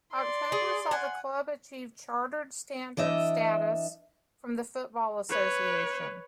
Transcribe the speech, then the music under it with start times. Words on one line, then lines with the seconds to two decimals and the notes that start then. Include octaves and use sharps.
October saw the club achieve Chartered Standard status from the Football Association.
0.14 D5 C6
0.52 G#4
0.91 F#5 G#5
2.97 E3 D4 D#5 E5
5.29 B4 C#5